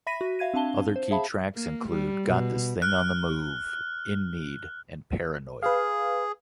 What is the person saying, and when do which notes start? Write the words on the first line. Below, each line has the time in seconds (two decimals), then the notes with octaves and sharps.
Other key tracks include "Got This Thing on the Move", "In Need", and "Paranoid".
0.07 E5 B5 A#6 B6 D#7
0.21 F#4
0.39 E5 F5 G#6 D#7
0.54 C4 D4 F5 A5 G7
0.96 C5
1.11 G#4 E5 F5 A5 B5
1.55 A#3
1.89 G3
2.25 B2
2.82 F6 F#6
5.63 G#4 B4 F5